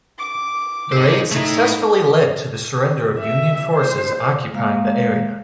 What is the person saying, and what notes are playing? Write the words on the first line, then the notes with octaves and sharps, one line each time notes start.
The raid successfully led to the surrender of Union forces occupying the area.
D6
D#4 C5
A3 D#4 E4
E5
C5
G#3 A#3 F5